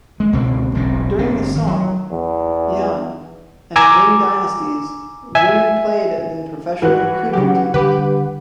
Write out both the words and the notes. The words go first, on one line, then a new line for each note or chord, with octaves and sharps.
During the Song, Yuan, and Ming dynasties, women played in professional Cuju teams.
G#3
C#2 B2 D3 C4
E1 B1 A2 C4
G1 D3 C4
D#3
F#3
E2
G#5 A#5 D6 E6
E5 G#5
E3 F#4 F#5 F#6
C#3 F#3 G4
D3 G3 G4 B4